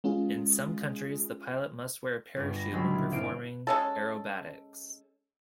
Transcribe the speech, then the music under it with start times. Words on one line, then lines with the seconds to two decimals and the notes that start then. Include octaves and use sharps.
In some countries, the pilot must wear a parachute when performing aerobatics.
0.04 G#3 C#4 F4 G#4
2.36 G1 G2
2.56 B5 A6 A#6
2.72 C#2 D3 F#3 C#5 B5 E6
2.91 A#2 E4
3.11 G1 C4 E4 A4 F5 D7
3.67 G#3 C#4 A4